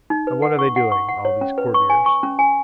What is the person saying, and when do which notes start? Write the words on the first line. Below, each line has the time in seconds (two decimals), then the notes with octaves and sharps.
And what are they doing, all these courtiers?
0.10 D#4
0.27 B4
0.42 F#5
0.59 C#6
0.76 F#5
0.92 C#6
1.09 F#5
1.25 C#5
1.41 C#4
1.58 B4
1.74 C#6
1.90 G#5
2.06 C#6
2.23 C#4
2.39 G#5